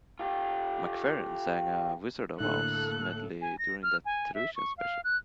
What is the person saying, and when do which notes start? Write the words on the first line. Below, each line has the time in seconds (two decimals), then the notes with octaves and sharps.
McFerrin sang a "Wizard of Oz" medley during that television special.
0.19 F4 G4
2.40 A2 D3 A#3 A4 F#6
3.41 G#5
3.58 A#6
3.83 F6
4.05 G#5
4.34 E5
4.56 C#6
4.78 F5
5.04 F#6